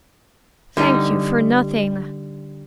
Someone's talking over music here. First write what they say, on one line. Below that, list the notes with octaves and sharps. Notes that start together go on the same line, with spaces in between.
"Thank you for nothing."
D3 G3 D#4